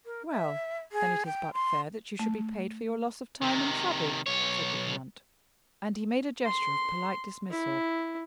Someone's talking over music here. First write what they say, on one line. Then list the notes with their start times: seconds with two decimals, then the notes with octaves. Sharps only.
"Well, then, it is but fair that you should be paid for your loss of time and trouble," said the count; and he made a gesture of polite dismissal.
0.06 A#4
0.31 E5
0.92 G#4
1.26 G5
1.54 C6
2.19 A3
3.42 C3 D#3
4.26 B1 C#5
6.45 C6
7.51 E4